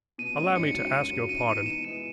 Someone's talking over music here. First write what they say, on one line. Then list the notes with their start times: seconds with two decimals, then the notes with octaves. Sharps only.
Allow me to ask your pardon.
0.18 B2 D#7
0.37 G#3 C#4
0.55 G#2 C#7
0.74 F#3 C#4
0.92 F#2
1.10 C#3 F#3
1.29 G#2 D#7
1.48 E3 B3 D#4
1.66 B2 E7
1.84 G#3 B3 E4 D#7